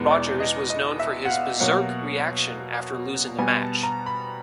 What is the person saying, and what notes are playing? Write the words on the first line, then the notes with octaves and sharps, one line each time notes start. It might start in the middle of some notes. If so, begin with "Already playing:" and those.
Rogers was known for his berserk reaction after losing a match.
Already playing: E2 B2 G#3 B3
D5
D#5
D#5
E5
F#5
F5
B2 F#3 A#3 F#5
B2 G3 B3 G#5
A5
A#5
B5